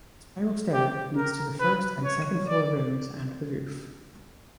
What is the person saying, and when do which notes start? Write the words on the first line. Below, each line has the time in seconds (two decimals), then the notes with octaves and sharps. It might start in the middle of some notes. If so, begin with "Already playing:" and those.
A spiral stair leads to the first and second floor rooms and the roof.
0.73 G4
1.17 A#4
1.60 B4
2.04 C#5
2.48 D5